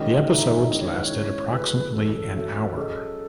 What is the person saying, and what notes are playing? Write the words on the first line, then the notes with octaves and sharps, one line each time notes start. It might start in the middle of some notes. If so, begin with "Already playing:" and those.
The episodes lasted approximately an hour.
Already playing: D#3 G#3 C#4 F#4 D#5
G#2 F#3 A3 D#4 F#4 E5
D#3 G#3 C#4 E4 D#5
C#5
B4
C#5
C#3 G#3 C#4 E4
F#3 A3 E4 G#4 B4
F#2 E3 G#3 C#4 A4
F#3 C#4 F#4 C#5 E5
F#3 C#4 G#4 A4 D#5